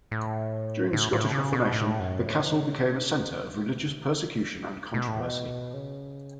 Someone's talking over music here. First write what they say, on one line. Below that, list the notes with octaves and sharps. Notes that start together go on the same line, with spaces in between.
During the Scottish Reformation, the castle became a centre of religious persecution and controversy.
A2
A2
A2
C#3
B2
A2
F#2
A2
E3
C#3
E3
C#3
B2
A2
B2
C#3